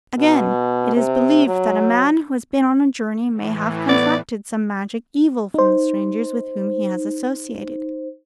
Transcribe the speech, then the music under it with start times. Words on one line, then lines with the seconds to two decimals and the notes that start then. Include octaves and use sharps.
Again, it is believed that a man who has been on a journey may have contracted some magic evil from the strangers with whom he has associated.
0.19 B2
0.96 C3
1.47 F#3
3.30 A2 E3
3.89 B3 D5
5.54 D#4 C5